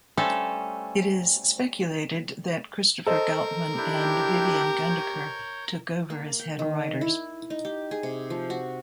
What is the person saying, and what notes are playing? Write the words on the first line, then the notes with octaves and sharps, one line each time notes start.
It is speculated that Christopher Goutman and Vivian Gundaker took over as Head Writers.
G3 A3 C#4 A4 C5
A4 A#4 C5 D#5
D4 E4 G4 G5
C#5 G6
A#3
G5
D#3
E4
D#4
G4
G#4
C3
F3
F#4